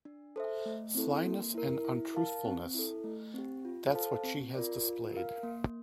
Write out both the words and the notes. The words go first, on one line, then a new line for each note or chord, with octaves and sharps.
Slyness and untruthfulness — that’s what she has displayed.
D4
A4 C5 E5
A3
C4 E4 A4
A#3
E4 A#4
E4
A#4 F5 A5
C4
E4 A4
A3
C4 G4
F4
A4 C5 F5 A5
C4
F4 A#4 D5
F4
A#4 F5
A#3